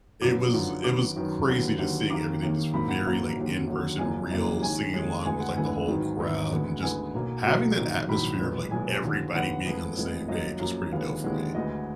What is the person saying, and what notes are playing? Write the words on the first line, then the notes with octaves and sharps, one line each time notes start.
it was it was crazy just seeing everything just v very, like, in-person, real, singing along with, like, the whole crowd, and just having that atmosphere of, like, everybody being on the same page was pretty dope for me.
F#2 D3 F3 B3 D6
F#2 D3 F3 B3
F#2 D#3 F#3 B3 D6
F#2 D#3 F#3 B3
D#2 D3 F#3 B3
D#2 D3 F#3 B3
D#2 D#3 A#3 D6
D#2 D#3 A#3
A#1 G#2 F#3 A#3 B5
F#5
A#1 G#2 F#3 A#3
D#2 D3 F#3
D#2 D3 F#3
F#1 F#2 F3 A#3 G#5
F#1 F#2 F3 A#3
D#2 D#3 G#3 G#5
D#2 D#3 G#3
D2 D3 G#3 B3 G#5
F#5
D2 D3 G#3 B3 G#5
G#1 G#2 D#3 F#3 B3
G#1 G#2 D#3 F#3 B3
D2 D3 G#3 B3
D2 D3 G#3 B3 G#5
B1 B2 F#3 A#3
B1 B2 F#3 A#3 A#5
A#1 G#2 D#3 F#3
A#1 G#2 D#3 F#3 B5
B1 A#2 G#3 B3
B1 A#2 G#3 B3 G#5
D#2 D3 F3 B3
D#2 D3 F3 B3 F#5
F1 F2 F3 G#3 B3
F1 F2 F3 G#3 B3
F#2 F3 A#3 D#5
F#2 F3 A#3
D#2 D3 F3 G#3 B3 F5
D#2 D3 F3 G#3 B3
D2 D3 G#3 B3 D#5